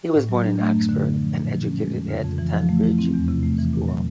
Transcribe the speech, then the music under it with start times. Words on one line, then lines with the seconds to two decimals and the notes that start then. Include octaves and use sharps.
He was born in Oxford, and educated at Tonbridge School.
0.15 A2
0.29 F#3
0.44 D4
0.59 A3
0.74 F#2
0.89 D3
1.05 F#2
1.19 F3
1.34 A#2
1.49 F3
1.64 C#4
1.78 G#3
1.94 F2
2.09 C#3
2.23 F2
2.38 E3
2.54 F3
2.69 A3
2.84 E4
2.99 C4
3.14 E2
3.28 C3
3.43 A3
3.58 E3
3.73 A#2
3.88 F#3